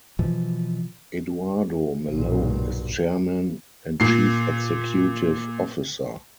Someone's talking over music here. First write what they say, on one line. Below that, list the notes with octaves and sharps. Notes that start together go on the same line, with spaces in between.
Eduardo Malone is Chairman and Chief Executive Officer.
B2 E3 F3
B1 G2 A#2
A#2 C7